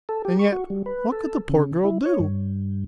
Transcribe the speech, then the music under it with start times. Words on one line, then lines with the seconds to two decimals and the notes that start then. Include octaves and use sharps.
And yet, what could the poor girl do?
0.09 A4
0.25 G4
0.39 C#6
0.52 F#4
0.70 G3
0.86 B4
1.12 A4
1.49 C#3
1.84 E4
2.05 C#5
2.19 G2